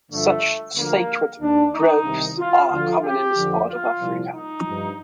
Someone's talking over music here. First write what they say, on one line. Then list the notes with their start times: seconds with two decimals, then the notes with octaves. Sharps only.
Such sacred groves are common in this part of Africa.
0.11 G2 D3 F3 A3
0.75 D2 D3 F3 A#3
1.41 D#2 D#3 D4
1.73 D#4
2.05 C2 C3 D#3
2.38 F4
2.70 D2 D3 F3 F4
3.03 G4
3.36 F2 D3 F3
3.68 F4
4.00 C2 A#2 F3
4.33 D#4
4.65 G2 F3